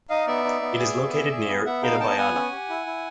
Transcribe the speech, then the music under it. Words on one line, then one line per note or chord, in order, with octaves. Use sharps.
It is located near Itabaiana.
D#4 D#5 F5
B3 D5 E5
D#4
B3
G#4
B3
G#4
G#4
B3
B3 E5 F#5
D#4 F5 G5
B3 G5 A5
G5
B3 F#5 G#5
C#4
G4
E4
E4